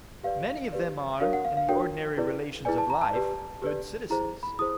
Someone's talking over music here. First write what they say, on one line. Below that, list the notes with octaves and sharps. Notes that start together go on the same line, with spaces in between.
Many of them are, in the ordinary relations of life, good citizens.
G4 B4 D5 F5
G4 B4 D5
D4 F#4 A#4 C#5 F5
F#5
F5
F5
D4 F#4 A#4 C#5 G5
E4 G#4 B4 D5
E4 G#4 B4 D5 G#5
A5
A#5
A5
G4 B4 D5
G4 B4 D5
E4 G#4 C5 A#5
B5
E4 G#4 C5 D#6